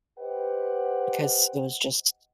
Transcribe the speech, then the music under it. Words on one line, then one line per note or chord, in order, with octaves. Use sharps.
because it was just
G4 B4 C5 D#5 F#5 G5